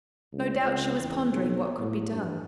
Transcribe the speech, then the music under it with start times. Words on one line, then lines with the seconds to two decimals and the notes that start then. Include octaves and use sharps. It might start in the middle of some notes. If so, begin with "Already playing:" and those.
No doubt she was pondering what could be done.
0.33 C#2
0.62 C#2
0.98 E2
1.31 B1
1.79 A2
2.14 G2